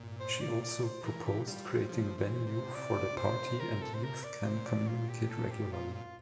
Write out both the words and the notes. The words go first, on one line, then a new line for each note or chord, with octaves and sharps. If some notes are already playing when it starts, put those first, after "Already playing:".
She also proposed creating "venue" for the party and youth can communicate regularly.
Already playing: A#2
C5
D5
D5
C5
E3 A#4
G4
G4
G3 F4
C5
F3
E3
C3
D5
C5
A#4
A4
C5
A#4
D5
C3 C5
A#2
A2 D5
A#2
F4
G4
A4
G4
F4
F4